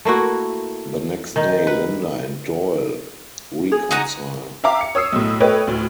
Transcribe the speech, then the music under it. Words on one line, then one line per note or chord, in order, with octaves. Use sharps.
The next day, Linda and Doyle reconcile.
A3 A#3 E4 F#4
D#3 D#4
B4
G#4
D#4 F#4 D#6
E5 F5 G5 A#5 D6
C#7
C#5 D#6 E6 C7
B1 A2
A3 B4 C#5 D#5 G5
D2 A2